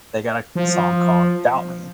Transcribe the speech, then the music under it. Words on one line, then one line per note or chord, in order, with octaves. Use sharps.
they got a song called Doubt Me.
F3